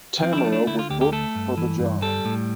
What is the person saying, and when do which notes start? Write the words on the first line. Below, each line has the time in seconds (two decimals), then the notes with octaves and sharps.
Tamara was booked for the job.
0.22 F3 C4
0.33 E4
0.38 D4
0.45 A3
0.52 D4
0.67 D3 E4
0.79 F4
0.90 D2 G4
1.01 G4
1.12 A3 A4
1.35 G2
1.57 E3
1.80 G2
2.02 G3 A4
2.25 A2